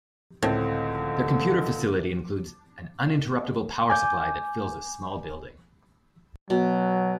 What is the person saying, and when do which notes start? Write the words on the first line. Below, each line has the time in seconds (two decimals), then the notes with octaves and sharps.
Their computer facility includes an uninterruptible power supply that fills a small building.
0.43 C#2 A2 D3 C4
3.90 G#5 D6 G6
6.50 B2 F#3